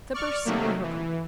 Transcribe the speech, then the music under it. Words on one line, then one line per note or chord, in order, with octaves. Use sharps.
Clippurse and Hookem.
D5 C#6 F6
C3 D#3 F#3 A3 A#3
E3